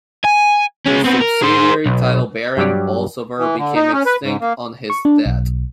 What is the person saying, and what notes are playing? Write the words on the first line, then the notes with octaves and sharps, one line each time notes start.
The subsidiary title Baron Bolsover became extinct on his death.
G#5
G#3 C#4
B3 C4
A#4
G#4 C5
B1
G2 F#3 G3 G4 D5
E3
D3
D#4
C#4
B4
G#2
A#3
C#6
D4
B1